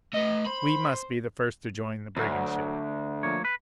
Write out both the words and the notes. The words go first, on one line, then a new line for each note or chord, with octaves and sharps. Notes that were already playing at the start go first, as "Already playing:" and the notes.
We must be the first to join the brigand ship.
A3 B4 D#5
C5 B5
D2 F#3
F3 A#3 C#5
B4